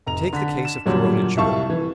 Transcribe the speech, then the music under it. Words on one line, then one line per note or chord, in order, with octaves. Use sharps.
Take the case of Corona Jewel.
F1 A#5 F7
D3 B6
E7
F#2 A#2 D3 F#3 G3
C2 G3 E5 F5 A5 C#6
E3